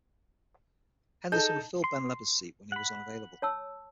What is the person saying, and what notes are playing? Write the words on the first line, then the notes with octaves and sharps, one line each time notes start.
Henderson would fill Ben Leber's seat when he was unavailable.
D#4 G#4 A4 A5 G6
C6
F#5 B5
C#5 A5 E6